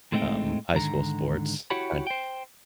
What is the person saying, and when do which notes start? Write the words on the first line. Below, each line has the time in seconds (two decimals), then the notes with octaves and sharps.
um, high school sports and
0.12 A2 G#3 A3 C4 D#4 G5
0.74 G#2 D3 D#3 A#5
1.70 E4 F#4 G4 C#5 F#5 B5
2.07 C5 G5